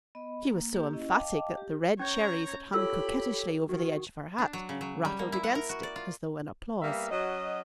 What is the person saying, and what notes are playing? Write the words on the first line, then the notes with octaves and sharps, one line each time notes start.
She was so emphatic that the red cherries that hung coquettishly over the edge of her hat rattled against it as though in applause.
B3 D#5 B5
A#3
A#3 G4
C#4 E4 D#5
D#5 F5 G5 A5 D6
G4
C#4 C#5 A#5 G6 G#6
F4 G4 A4 C#5 B5 E6
D#3 F#4
D4
F#3
C#3
F#3
G3
A#3
E4
F#5
A#4
F#4
D5
F4
G3 A#3 B3 E5 F5
F#3 C#4 F#4 D#5